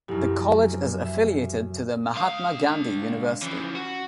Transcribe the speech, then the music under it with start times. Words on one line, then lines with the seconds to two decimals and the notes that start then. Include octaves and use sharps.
The college is affiliated to the Mahatma Gandhi University.
0.08 F1 F#2 E4 G4
1.05 E5
2.16 C#2 F5 D#6
2.59 D4
3.42 E3 F3 C#4
3.75 F#4